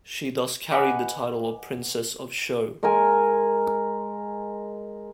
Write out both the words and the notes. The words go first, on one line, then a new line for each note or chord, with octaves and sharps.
She thus carried the title of Princess of Shou.
B4 D#5 F#5 G#5 D6 F#6
G#3 A#4 G#5